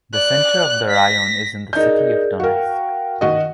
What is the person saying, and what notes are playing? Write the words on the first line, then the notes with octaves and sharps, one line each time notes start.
The center of the raion is in the city of Donetsk.
D5 F#6
A#6 B6
D#4 G#4 A#4 D5 G6
F#4 A#4 F5 G5
D#3 F#4 D#5